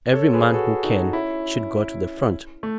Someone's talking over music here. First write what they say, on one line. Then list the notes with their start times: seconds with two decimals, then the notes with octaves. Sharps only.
"Every man who can, should go to the Front."
0.13 A4 C#5
0.33 G#4 B4
0.54 F#4 A4
0.83 D#4 F#4
1.13 C#4 E4
2.63 A3